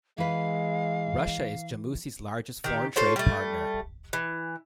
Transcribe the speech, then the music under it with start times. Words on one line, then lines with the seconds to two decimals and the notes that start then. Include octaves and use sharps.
Russia is Jamusi's largest foreign trade partner.
0.18 E3 G#3 B4 F5
2.64 D#3 G4
2.96 F4 A4 C5 C#5
3.16 G3 A3
4.13 E3